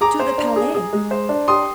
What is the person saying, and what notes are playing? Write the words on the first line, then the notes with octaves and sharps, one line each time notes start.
"To the Palais."
G#4 A#5 D6
C5
D4
G#4
G#4
G#3
C5
D4
G4 C6 D#6